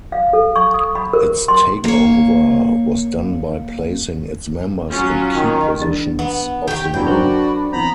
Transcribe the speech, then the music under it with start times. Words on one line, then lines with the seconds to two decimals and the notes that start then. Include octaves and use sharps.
Its takeover was done by placing its members in key positions of the group.
0.12 F5
0.33 A4
0.56 C#6
0.74 D#6
0.95 B5
1.13 A#4
1.48 C6
1.84 A#3 C#5
4.89 F#3 C#4 F4
5.34 D#3
5.80 E3 G#3 D4
6.19 B3
6.68 D#3 G4 G5 C#6
6.94 D2 G2 E3 F#3 D4 G5 B5
7.05 F#3 F#4 A#4 C5
7.73 E3 B3 C4 A#5 B5